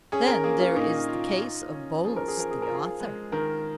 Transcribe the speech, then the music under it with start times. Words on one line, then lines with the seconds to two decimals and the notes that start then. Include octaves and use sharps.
Then there is the case of Bolus the author.
0.12 C#4 G#4
0.28 A#4
0.44 A#3 G#4
0.60 F4
0.76 A#2 D#4
1.09 F4
1.40 F4
1.72 C#4
2.04 F3 G#4
2.16 A#4
2.28 G#4
2.37 F3 A#4
2.51 G#4
2.62 A#4
2.69 F4 G#4
3.00 G#3
3.32 D#3 A#4